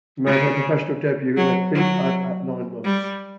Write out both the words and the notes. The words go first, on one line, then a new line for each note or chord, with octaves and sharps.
She made her professional debut in a print ad at nine months.
C#3
F#3
F#3
G3